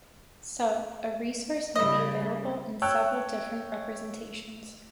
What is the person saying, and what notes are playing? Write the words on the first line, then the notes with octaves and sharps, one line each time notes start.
So, a resource may be available in several different representations.
C#3 G3 E4 D#5
C#5 G5 A5 E6 F#6